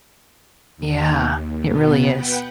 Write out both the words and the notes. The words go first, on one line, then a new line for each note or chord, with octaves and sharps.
Yeah. It really is.
D#2
B2 B3
B4 F#5 G5